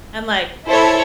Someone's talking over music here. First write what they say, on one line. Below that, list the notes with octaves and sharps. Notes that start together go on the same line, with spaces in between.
And like
E4 A4 C5 C#5